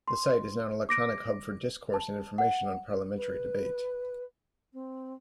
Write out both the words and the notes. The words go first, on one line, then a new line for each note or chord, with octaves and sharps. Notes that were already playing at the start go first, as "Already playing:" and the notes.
The site is now an electronic hub for discourse and information on parliamentary debate.
C6
D6 A#6 D7
A5
F#5
B4
C4